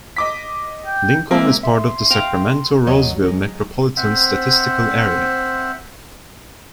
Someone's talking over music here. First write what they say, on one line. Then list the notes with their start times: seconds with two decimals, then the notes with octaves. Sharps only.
Lincoln is part of the Sacramento-Roseville Metropolitan Statistical Area.
0.17 D#5 D6 B6
0.86 G5
1.31 G#3 A#3 C4 E5
1.63 E5 C6
2.10 F5 G5 A#5
2.86 D#2 F#3 F#4 C#5 D#5
3.24 F#3 G#3
3.97 C4 C5 E5 F#5